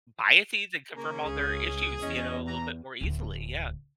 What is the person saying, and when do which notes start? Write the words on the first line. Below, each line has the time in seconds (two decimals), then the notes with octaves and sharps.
biases and confirm all their issues, you know, a little bit more easily, yeah.
0.95 C#3 A#3 C#4
1.25 C#2 G#4
2.02 E2 C#4 D#5
2.47 E3 A#5
3.01 D1 D2